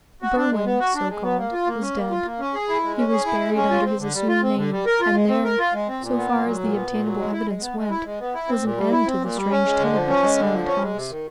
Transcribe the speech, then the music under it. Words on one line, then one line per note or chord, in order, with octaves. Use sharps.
Berwin--so called--was dead; he was buried under his assumed name, and there, so far as the obtainable evidence went, was an end to the strange tenant of the Silent House.
F#4
D4
G#3
B3
F#4
D4
G#3
B3
A#3
F4
A#3
C#4
A#3
F4
A#3
C#4
G#4
E4
G#3
C#4
G#4
E4
G#3
C#4
F4
C4
D3
G3
F4
C4
D3
G3
A#4
F4
G#3
C4
A#4
F4
G#3
C4
A#2
B3
A#2
F#3
A#2
B3
A#2
F#3
G#3
E4
G#3
B3
G#3
E4
G#3
B3
E4
C4
A#2
G3
E4
C4
A#2
G3
C#4
G#3
D3
F3
C#4
G#3
D3
F3
C#4
G#3
C3
D#3